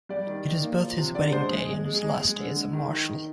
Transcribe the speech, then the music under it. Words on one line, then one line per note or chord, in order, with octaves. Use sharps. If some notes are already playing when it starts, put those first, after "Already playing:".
It is both his wedding day and his last day as a marshal.
G3 D5
D#3
D#3
A#3
F3
C3
D3 D5
G#3 C5
G#3 G#4
G#3 G#4
G#3
G#4
G#3
G#3 G#4
D3
G#3
D#3
D#3
D#3